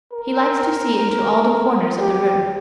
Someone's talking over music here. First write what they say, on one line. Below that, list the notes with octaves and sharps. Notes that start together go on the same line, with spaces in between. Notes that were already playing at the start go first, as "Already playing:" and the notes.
"He likes to see into all the corners of the room."
A#4
G4